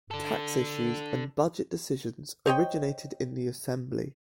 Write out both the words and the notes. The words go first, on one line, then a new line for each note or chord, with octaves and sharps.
Tax issues and budget decisions originated in the assembly.
D4 A4
C5 C#5 D#5 G5